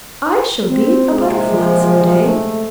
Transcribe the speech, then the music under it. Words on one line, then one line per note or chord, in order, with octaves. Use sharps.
"I shall be a Butterfly some day!"
C4
A#1 C3 G#3
F3
A3